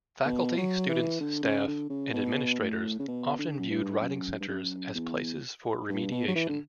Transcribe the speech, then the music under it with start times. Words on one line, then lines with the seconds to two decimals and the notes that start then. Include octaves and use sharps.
Faculty, students, staff, and administrators often viewed writing centers as places for remediation.
0.25 B2
0.57 F#3
0.89 E3
1.20 D3
1.43 C#3
1.67 D3
1.90 C#3
2.13 B2
2.60 A2
2.99 C#3
3.08 B2
3.39 D3
3.59 F#2
3.70 G2
4.01 F#2
4.40 G2
4.48 F#2
4.94 E2
5.89 G2
6.11 B2
6.28 F#3
6.35 E3
6.49 D3